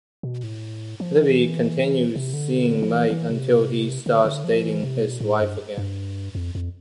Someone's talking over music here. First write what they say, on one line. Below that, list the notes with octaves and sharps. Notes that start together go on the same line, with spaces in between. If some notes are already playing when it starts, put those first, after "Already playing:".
Libby continues seeing Mike until he starts dating his wife again.
B2
A2
F3
E3
C3
D3
F3
E3
E3
C3
D3
D3
F3
E3
C3
B2
A2
G2
G2
F2
F2